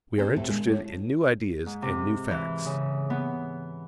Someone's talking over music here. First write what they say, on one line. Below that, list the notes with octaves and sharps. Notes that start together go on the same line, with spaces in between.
We are interested in new ideas and new facts.
B3 C4 G4 C5
D2 A2 A3
A#2 D3 G#3
G#3 A3 E4 C#5
G#2
C3
E3
C#3
B3